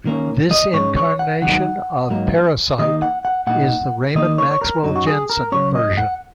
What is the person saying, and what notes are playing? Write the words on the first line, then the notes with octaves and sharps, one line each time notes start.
This incarnation of Parasite is the Raymond Maxwell Jensen version.
D#3 A#3 C#4
D#5
G#2 G#3 C#4 C#5
C#5
F#5
D#3 F#3 D#4 F#5
G#2 F#3 A#3 D#4
D#3 A#3 D#4 D#5
F#5
F#5
A#2 A#3 D#4 F#5
D#3 A#3 D#4 D#5
C#5
C#5
A#4
F#2 F#3 D#4
F#4
G#4
A#4
C#3 F#3 C#4 C#5
D#5
F#5